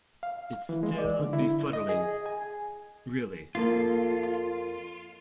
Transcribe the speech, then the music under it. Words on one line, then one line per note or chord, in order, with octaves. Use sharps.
It's still befuddling, really.
F5
E3
G#3
D5
D3
E4
D#5
G#4
G#5
F2 A#3 F4 A4